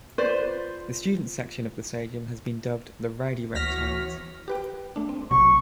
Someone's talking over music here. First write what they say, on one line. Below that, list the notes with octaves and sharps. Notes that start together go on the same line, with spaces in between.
The student section of the stadium has been dubbed the Rowdy Reptiles.
F4 B4 C5 D5
D2 E3 B3 F#4 C#5 F6 A#6 B6
G4 B4 G5
A3 D4
C4
B1 C3 F#3 C#6